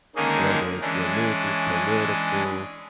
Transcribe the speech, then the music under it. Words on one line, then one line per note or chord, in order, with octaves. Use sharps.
whether it's religious, political,
D3 D#3 G#3 A#3 C#4 D#4
E3 G#3 C#4 D4